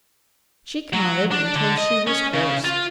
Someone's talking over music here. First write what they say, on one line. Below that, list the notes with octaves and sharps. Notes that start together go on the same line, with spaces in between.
She counted until she was hoarse.
F#3
D4
D3
D#5
C#4
C#3
F4